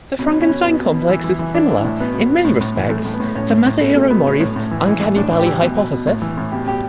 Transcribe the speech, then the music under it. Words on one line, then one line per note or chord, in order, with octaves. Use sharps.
The "Frankenstein Complex" is similar in many respects to Masahiro Mori's uncanny valley hypothesis.
B2 C#4
B2
C#4
B2
B2 B3
B2
B2
E3
E3
E3
E3 D4
E3
E4
A2
B2 B3
B2
B2
A2
A2
E3
A2 A3
A2
B3
A2
A2 C#4
A2
A2
B2 A3
B2 A3
B2 B3
A2 C#4
A2
A2
E3
E3
A2
A2 D4
A2
G4
E3
B2
B2
B2
A2
E3
A2
B2 G4
B2 G4